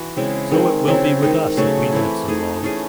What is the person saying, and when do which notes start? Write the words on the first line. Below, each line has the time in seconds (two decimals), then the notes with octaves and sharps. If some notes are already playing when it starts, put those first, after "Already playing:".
So it will be with us, if we live so long.
Already playing: E3 F#4
0.16 C#3 G#3 C4 E4
0.51 D#3 G#3 C4 D#4
0.87 C#3 F#3 C4 E4
1.23 D#3 G#3 C4 D#4
1.57 C#3 F#3 A3 C#4
1.92 E3 A3 C4 E4
2.28 A3 D#4 G#4
2.63 E3 A3 C#4 G#4